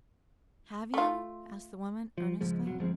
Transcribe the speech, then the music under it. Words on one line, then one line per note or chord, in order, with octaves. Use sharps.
"Have you?" asked the woman, earnestly.
A3 F4
F3
C#2 G#2 F3 G#3
E1 F#3
G1 F3 G#3 C4